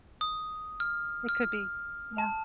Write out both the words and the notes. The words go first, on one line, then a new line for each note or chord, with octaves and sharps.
It could be, yeah.
D#6
F6
F6
A5